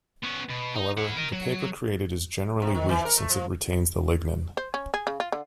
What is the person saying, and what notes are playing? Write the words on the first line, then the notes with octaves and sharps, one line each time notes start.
However, the paper created is generally weak since it retains the lignin.
B3 C#4
B2
D#4
E4 F#5
A#4 D#5
F#3
C3
D#3
E3
A#4
A3
F3
C5
C#4
G#4
C#3
F4
D3